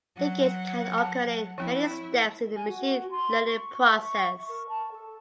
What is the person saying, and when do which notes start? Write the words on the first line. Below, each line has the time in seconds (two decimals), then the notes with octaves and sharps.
Leakage can occur in many steps in the machine learning process.
0.16 F#3 F#5
0.98 A5
1.58 F3 C4 E4
2.53 G#5
2.68 F#4
3.10 C6
3.48 C#6
3.84 E5
4.03 C#6
4.50 A#4
4.68 A5
4.91 A4